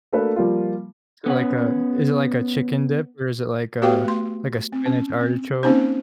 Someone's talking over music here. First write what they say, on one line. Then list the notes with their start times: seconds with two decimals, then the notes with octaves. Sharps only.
So like a is it like a chicken dip? Or is it like a like a spinach artichoke?
0.13 A3 A#3 D4 F#4 A4 B4
0.36 F3 G3 A#3 F4
1.26 B3 C#4 F#5
3.82 B3 F#4 G4 B4 F5 G5
4.04 A3 C6
4.73 C4
4.86 C#4
5.20 C4
5.63 A#3 C4 C#4 D#4 C5